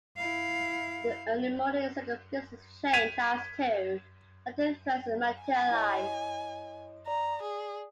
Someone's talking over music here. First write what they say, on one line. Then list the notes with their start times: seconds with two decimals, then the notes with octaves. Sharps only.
In the early morning, circumstances changed as two latent threats materialized.
0.17 E4 F5
2.93 G#6 B6 D#7 F7
5.42 G#5
5.71 E4 C#5 D#5
7.07 D5 A#5
7.42 G#4